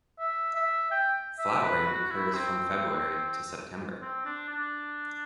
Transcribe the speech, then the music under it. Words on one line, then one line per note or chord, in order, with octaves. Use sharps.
Flowering occurs from February to September.
E5
E5
G5
E5
B4
F#4
E4
C4
C4
D4
D4